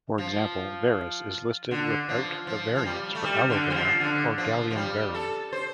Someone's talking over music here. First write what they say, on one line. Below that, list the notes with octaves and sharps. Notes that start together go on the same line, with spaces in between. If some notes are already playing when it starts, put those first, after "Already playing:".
For example, "verus" is listed without the variants for "Aloe vera" or "Galium verum".
F3
D3
F3
F3
F3
G3
A3
G3
D3
G3
F3
D3
F3
F3
G3
A4
C5